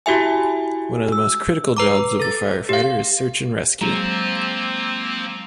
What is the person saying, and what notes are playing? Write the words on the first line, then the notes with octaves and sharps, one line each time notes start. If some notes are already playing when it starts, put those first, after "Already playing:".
One of the most critical jobs of a firefighter is search and rescue.
E4 F#4 G4 E5 G#5
E6
B4 A#5 D6
A4 A6
G4 F5
F3 F#3 G#3 A#3 C4 F4 C5 A#5